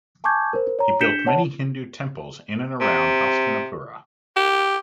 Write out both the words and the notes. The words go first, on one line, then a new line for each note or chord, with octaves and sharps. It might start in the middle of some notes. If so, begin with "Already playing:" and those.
He built many Hindu temples in and around Hastinapura.
G#5 A5 C#6 D6 G6 G#6
A#4 C5
C#5 A#5
D4 G6 B6 C#7 E7 G7
C#5 F#5 A5
C3
G4